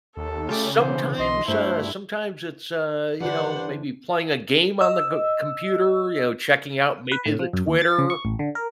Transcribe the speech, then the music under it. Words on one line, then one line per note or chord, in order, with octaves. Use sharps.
Sometimes, uh, sometimes it's, uh, you know, maybe playing a game on the c computer, you know, checking out maybe the Twitter,
D#2 A4
C#3 A3 F4 G4 D5
B2 D3 E3 B3 C5
B1 D#5 C6
G2 A3 E4 F#4 C5
G2 D3 E3 D4 C5 F#5
D#5 E6
B4
A2
F3
F#2
D#2
A6
C#3
C#6
A1
D3
A#4